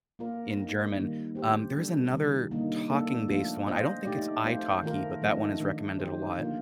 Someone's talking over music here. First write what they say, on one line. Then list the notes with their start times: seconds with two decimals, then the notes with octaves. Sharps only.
in German, um, there is another talking-based one, I don't think it's Italki, but that one is recommended a lot.
0.19 A#3 F4 A#4 D5
0.57 C4 D#4 A#4
0.97 D#3 G3 A#3
1.35 C4 G4 C5
1.74 G3 D4 A4
2.13 C3 D#3 G3
2.51 D3 G3 A#3 D#4
2.90 A#3 D4 A4
3.28 F3 A3 D4 F4
3.67 C4 F4 C5 D#5
4.05 A3 D#4 G4 D5
4.44 A3 C4 F4 C5
4.83 D#3 A3 C4 F4 A#4
5.22 F3 A3 C4 D#4
5.60 D#3 A3 D4
5.99 F3 C4 D#4 G4 C5
6.38 D3 F3 A#3 F4 A#4